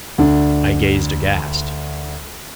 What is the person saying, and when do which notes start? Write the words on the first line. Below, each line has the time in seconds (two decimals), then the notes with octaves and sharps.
I gazed aghast.
0.18 D2 D4